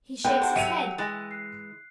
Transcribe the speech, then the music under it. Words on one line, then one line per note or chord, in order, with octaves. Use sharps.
'He shakes his head!
E2 A3 B4 G5
G4 C5 F#5 A5
E3 F#3 E5 C#7 D#7 F7
E3 G#3 G#5 F#6 A6
F#6 C7